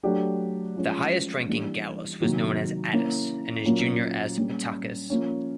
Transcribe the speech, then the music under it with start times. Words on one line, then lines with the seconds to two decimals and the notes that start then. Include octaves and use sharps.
The highest ranking Gallus was known as "Attis", and his junior as "Battakes".
0.03 F#3 A3 D4 G4
0.76 F3 G#3 C#4
1.48 E3 G3 A#3 D4 G4
2.20 C3 D#3 F#3 A#3
2.93 A#3 C#4 E4
3.64 A#2 F#3 A#3 C#4 F4
4.37 G3 A#3 C#4
5.10 F3 A#3 C#4